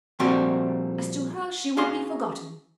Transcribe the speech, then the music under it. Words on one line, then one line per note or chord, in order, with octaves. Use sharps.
As to her she would be forgotten.
A#2 F3 G3 A3 C4 F#4
C#4 F#4 G#4 F5 C6